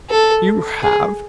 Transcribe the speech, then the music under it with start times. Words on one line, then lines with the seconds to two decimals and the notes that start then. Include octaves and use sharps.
"You have?"
0.10 A4
0.83 G#4